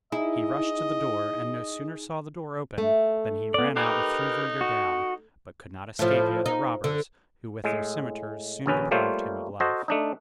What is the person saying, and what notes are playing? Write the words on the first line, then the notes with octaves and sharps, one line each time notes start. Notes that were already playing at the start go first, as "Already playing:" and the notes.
He rushed to the door, and no sooner saw the door open, than he ran out and threw the leader down, but could not escape the other robbers, who with their cimeters soon deprived him of life.
D#4 E4 G#4 D#5
A3
B3 D5
D#4 G4 A#4 B4
F#4
A2 F3
D#4
D3
A2 G#3
A#1 D#2 C#4 B4
G3 A3 A#3 F4 C5 C#5
F#4 A4 C5 D#5
A3 D4 D#4